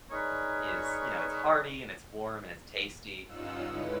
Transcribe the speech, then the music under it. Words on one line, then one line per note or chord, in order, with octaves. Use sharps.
is you know, it's hearty and it's warm and it's tasty
D4 D#4 G#4 A#4 B4 C#5
G2 C#4 D#4 F4 F#5 E6
D3 G#3 C#4 E4 B4